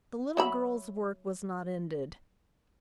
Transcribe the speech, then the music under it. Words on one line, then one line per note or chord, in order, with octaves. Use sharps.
The little girl's work was not ended.
F#3 E5 B5